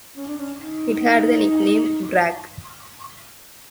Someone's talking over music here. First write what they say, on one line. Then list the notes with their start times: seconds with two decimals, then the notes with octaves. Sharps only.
It had the nickname "Brack".
0.17 C#4
0.27 D4
0.38 C#4
0.60 D#4